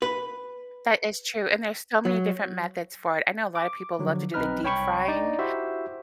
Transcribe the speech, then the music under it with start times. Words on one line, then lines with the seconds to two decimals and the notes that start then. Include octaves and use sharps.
That is true and there's so many different methods for it. I know a lot of people love to do the deep frying,
0.02 B4
2.05 F#3
3.55 D6
3.99 D3 F3 F#3
4.34 B1 C4 D#4 B4 F6
4.64 C2 C#5 G5 B5 C#6
5.08 D4 D#4 D5
5.39 E4 F#4 G4 C5 E5